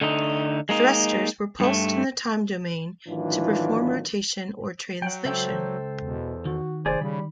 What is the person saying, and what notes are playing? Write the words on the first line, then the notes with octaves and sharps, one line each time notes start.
Thrusters were pulsed in the time domain to perform rotation or translation.
D3 A3 D#4
G#3 A#3 D#4
G2 A3
A2 D#3 E3 F#3 D4 F4
F#3 F#5 G5
C#2 A4 C5 E5 G5
E2 B2
D#3 F#4
F1 G#4 C5 D5
C#3 G3 B5